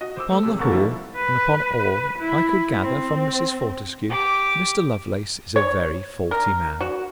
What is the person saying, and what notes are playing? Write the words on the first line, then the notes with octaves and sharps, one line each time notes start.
Upon the whole, and upon all I could gather from Mrs. Fortescue, Mr. Lovelace is a very faulty man.
F#4 D#5
C5 D6 E6
A3
F#1 C3 G#3 E6
F1 D#2 D3 A#4 C#6 A6
F3 G3 A3 E4
B4
E4
C4
G4 D6
C#5
A#4
F#4